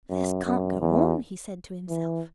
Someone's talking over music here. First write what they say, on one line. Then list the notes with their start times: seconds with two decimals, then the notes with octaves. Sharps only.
'This can't go on,' he said to himself.
0.09 F#2
0.45 F#2
0.81 E2
1.89 E3